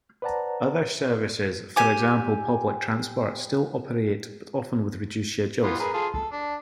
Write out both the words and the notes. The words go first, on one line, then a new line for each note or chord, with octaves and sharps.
Other services, for example, public transport, still operate but often with reduced schedules.
B4 C5 D5 F#5 A5 A#5
G4 G#5 D6
E3 B3 F4
G#4 A#4 B4
F4 G#4 A4
A4
D4